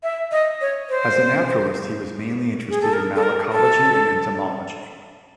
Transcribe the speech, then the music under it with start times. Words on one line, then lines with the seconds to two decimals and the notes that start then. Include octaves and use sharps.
As a naturalist he was mainly interested in malacology and entomology.
0.03 E5
0.32 D#5
0.61 C#5
0.90 C5
2.69 G#4
2.82 A4
2.93 A#4
3.16 A4
3.23 A#4
3.52 A4